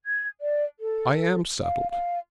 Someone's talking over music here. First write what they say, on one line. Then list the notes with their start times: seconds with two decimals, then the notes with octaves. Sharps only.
'I am settled.
0.03 G#6
0.40 D5
0.78 A4
1.62 F5
1.90 F5